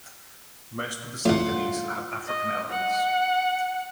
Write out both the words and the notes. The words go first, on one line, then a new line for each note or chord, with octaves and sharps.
Most of the symphonies have African elements.
E2 A2 F4 F5 F#5
D#5
F#5